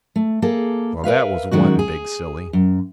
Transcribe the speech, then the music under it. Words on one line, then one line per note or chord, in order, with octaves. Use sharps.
Well, that was one big silly.
A3
A#3 G#4 A4
A#4 B4 E5 F5
F#2 D#3 G#3 F#4
G#4
F#2